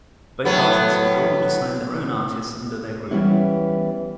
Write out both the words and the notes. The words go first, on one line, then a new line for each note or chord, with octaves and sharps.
Both artists would go on to sign their own artists under their group.
A2 F#3 B3
E3 G3 B3 C#4 E4